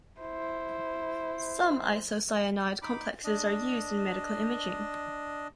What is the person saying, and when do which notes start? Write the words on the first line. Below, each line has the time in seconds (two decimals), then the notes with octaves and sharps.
Some isocyanide complexes are used in medical imaging.
0.20 E4 C5
2.82 D#4 B5 D6
3.24 D4 D#5